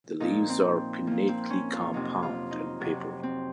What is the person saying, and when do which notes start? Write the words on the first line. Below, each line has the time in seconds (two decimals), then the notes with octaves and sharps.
The leaves are pinnately compound and papery.
0.20 A#2 F3 D#4
0.49 C4
1.07 A#2 F3 A#3
1.29 C4
1.50 C#4
1.72 F4
1.93 F2 C3 F#3 D#4
2.22 F4
2.51 D#4
2.80 F2 C3 F#3
3.23 C4